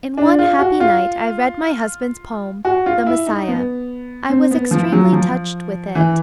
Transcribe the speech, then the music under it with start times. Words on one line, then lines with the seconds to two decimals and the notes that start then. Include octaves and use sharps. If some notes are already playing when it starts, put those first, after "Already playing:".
In one happy night I read my husband's poem, 'The Messiah.' I was extremely touched with it.
0.17 D4
0.39 F4
0.59 F#4
0.80 F4
2.65 F#4
2.86 F4
3.06 E4
3.27 D#4
3.48 B3
4.30 C4
4.51 B3
4.71 F3
4.92 F#3
5.13 F3
5.95 E3